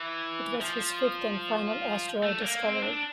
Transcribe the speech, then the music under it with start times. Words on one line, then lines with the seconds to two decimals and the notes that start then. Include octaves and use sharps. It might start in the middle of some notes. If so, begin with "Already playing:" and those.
It was his fifth and final asteroid discovery.
Already playing: E3
0.61 F3
2.23 A3
2.42 A#3
2.62 C4
2.83 D4